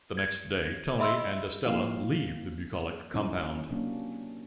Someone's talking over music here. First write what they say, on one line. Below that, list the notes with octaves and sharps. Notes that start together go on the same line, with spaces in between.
The next day Tony and Estella leave the bucolic compound.
G#6
D#5 E5 B5 C6 E6
F3 A#3 D#4 E4 G4 F5
F#3 C#4 D#4 E4 C#5
C3 F#3 A#3 C#4 D4